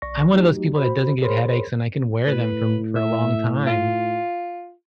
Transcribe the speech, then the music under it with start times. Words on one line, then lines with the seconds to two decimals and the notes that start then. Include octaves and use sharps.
I'm one of those people that doesn't get headaches and I can wear them for for a long time.
0.02 B1 D5 C#6 A#6
0.31 F#3 A3 D#4 F#4 G4
0.75 F#4 C5 B5
1.21 G#4 A#4 C5 C#5 B5 C6
2.27 A2 B4
2.96 E5
3.67 F4